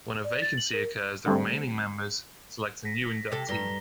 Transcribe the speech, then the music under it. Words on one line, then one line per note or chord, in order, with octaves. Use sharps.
When a vacancy occurs, the remaining members select a new inductee.
D5
A6
F#7
A#4
D3 G3 A3 C4
A#6 B6
C3 A4
G2 A#5 A#6 G7